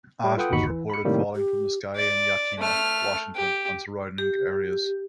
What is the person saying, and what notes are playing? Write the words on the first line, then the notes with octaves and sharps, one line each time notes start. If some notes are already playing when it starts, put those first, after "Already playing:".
Ash was reported falling from the sky in Yakima, Washington, and surrounding areas.
G3
F4 A4 B4 F#5 G5 D#6
G1 D#2 D#4 F#4 B5 C#7
E3
B5 C#7
A2 C3 D#3 G3 A#3
G4
D5
A3 F6
G4
G4